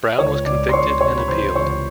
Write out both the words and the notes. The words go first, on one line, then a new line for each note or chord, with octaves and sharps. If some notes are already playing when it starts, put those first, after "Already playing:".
Brown was convicted and appealed.
C#2 C#5 C#6
C#2 D5 D6
C6
C#2 C#5 C#6
C3 C#5 C#6
B5
E3 C5 C6
C#2 C#5 C#6